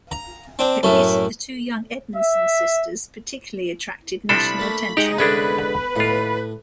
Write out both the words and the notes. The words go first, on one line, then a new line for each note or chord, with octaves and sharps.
The case of the two young Edmonson sisters particularly attracted national attention.
A#5
C4 D4
F#2 A2 A3
E5
C2 F3 D4 A4 B5
A3 A#3
G#3 D#4 G4 G#4 F#5 G5
C2 D3 G#3 C#4 D4 B4 D#5
D#2 A2 F4